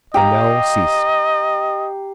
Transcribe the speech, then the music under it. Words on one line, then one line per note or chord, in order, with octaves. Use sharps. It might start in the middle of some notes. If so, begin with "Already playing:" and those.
The knell ceased.
G4 D#5 F5 A#5